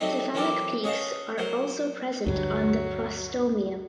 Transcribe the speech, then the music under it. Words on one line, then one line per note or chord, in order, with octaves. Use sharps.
Cephalic peaks are also present on the prostomium.
F#3 G3 A3 C4 D#4
E3 F#3 C4 A4 A#4 D5
C#4 G#4 D#5 F5 F#5 A5
F#3 A#4 C5
D2 G2 F#3